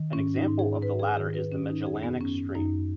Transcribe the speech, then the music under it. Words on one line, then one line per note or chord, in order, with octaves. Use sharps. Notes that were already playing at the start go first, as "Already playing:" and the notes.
An example of the latter is the Magellanic Stream.
Already playing: D#3
G#2 C#4
D#4
G#2
G#4
G#2 B4
G#4
D#3 G#4
B4
D#3 C#4
D#4
F#2 G#4
B3
F#2 C#4
F#2 D#4